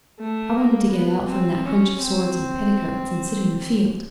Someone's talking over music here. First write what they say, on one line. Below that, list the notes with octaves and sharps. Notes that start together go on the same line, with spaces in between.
I wanted to get out from that crunch of swords and petticoats and sit in a field.
A3
A#3
B3
C4
C#4
C4